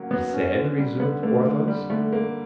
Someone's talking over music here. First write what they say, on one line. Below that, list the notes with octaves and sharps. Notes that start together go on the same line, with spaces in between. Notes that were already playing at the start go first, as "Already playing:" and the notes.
"He said?" resumed Porthos.
Already playing: F#3 A#3 C#4
F#3 B3
C#4
D3
G3
D3 B3
A3 A#3
D3
G3
D3 A3
A#3